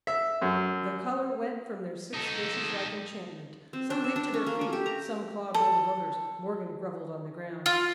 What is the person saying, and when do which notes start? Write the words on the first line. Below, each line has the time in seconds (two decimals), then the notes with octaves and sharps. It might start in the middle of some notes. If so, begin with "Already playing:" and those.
The colour went from their six faces like enchantment; some leaped to their feet, some clawed hold of others; Morgan grovelled on the ground.
0.07 E5
0.42 F#2
2.14 D#4 A4
3.73 C4
3.90 D4
4.04 E5
4.16 D4
4.34 C#4
4.46 A#3
4.61 A3
4.73 G4
4.86 A#5
5.54 A4
7.66 F4